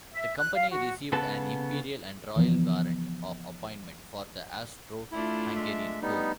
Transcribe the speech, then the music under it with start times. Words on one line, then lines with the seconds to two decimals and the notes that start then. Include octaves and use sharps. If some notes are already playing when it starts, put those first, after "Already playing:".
The company received an imperial and royal warrant of appointment for the Austro-Hungarian court.
0.13 E5
0.38 F#6
0.55 F5
0.72 F#4
1.12 C#3 B3 A4 B4 A5
2.36 C#3 E3 F3 B3
5.12 A3 D4 E4 F4
5.56 G#3 E5
6.02 G3 B3 D#4